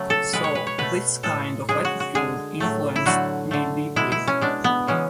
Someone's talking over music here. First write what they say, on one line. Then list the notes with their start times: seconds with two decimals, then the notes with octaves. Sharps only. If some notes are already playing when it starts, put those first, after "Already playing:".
So this kind of attitude influenced me deeply.
Already playing: C#3 F#3 A3
0.10 A4
0.33 B2 G#3 B4
0.44 C#5
0.55 B4
0.67 C#5
0.78 B2 A3 B4
1.23 A2 G#3 A4
1.69 C#3 G#3 G#4
1.85 F#4
2.00 F#4
2.15 D3 G#3 G#4
2.60 A2 F#3 A3
2.96 E4
3.06 D3 F#3 A3 F#4
3.51 D3 A3
3.96 B2 G#3 E4
4.12 E4
4.27 C#4
4.41 B2 G#3 D4
4.64 B3
4.87 C#3 E3 G#3 C#4